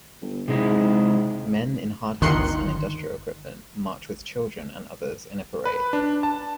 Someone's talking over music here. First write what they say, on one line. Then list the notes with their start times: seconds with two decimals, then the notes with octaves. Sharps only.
Men in hard hats and industrial equipment march with children and others in a parade.
0.22 G1
0.48 G#2 C3 G#3 E4
2.21 G1 D2 D#3 C6 F#6 C#7
5.65 B4
5.93 D4
6.23 A5